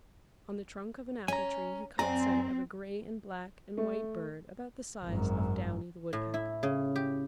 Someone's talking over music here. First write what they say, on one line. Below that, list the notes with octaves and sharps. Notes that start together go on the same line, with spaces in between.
On the trunk of an apple-tree he caught sight of a gray and black and white bird about the size of Downy the Woodpecker.
C#4 G#5 A#5
F#2 C4 D5 G#5 A#5
A3
G#1 F#2
A2
E4
C#3
G4